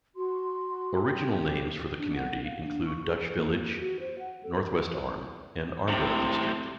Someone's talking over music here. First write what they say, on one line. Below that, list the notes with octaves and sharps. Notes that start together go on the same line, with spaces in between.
Original names for the community included Dutch Village, North-West Arm, and Armdale District.
F#4 C6
G4
D4
F#5
F5
D4
C#6
G#4
A#3
F#4
C5
F#5
A4
A2 C3